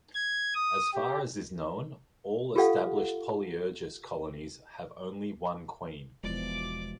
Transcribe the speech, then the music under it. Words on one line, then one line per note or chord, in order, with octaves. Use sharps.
As far as is known, all established "Polyergus" colonies have only one queen.
G#6
D#6
G4
F4 G4 A4 F5 F#5
E1 B2 E3 F3 G#3 D5 D6